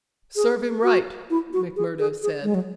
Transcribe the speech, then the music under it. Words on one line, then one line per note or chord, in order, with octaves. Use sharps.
"Serve him right," Macmurdo said.
G#4
F#4
E4
F#4
G#4
G#4
G#4
G#3
F#3